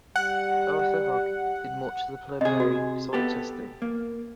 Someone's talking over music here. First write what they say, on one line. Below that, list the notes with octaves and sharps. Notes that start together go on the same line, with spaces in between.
Arthur Hogg did much of the preliminary site testing.
G3 F#5
C3 G#4 D#5
F#4
B3 G4 A4
A#3